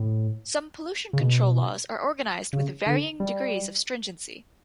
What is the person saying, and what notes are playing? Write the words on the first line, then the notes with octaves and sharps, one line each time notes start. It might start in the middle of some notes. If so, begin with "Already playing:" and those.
Some pollution control laws are organized with varying degrees of stringency.
Already playing: A2
C#3
B2
C#3
D3
G3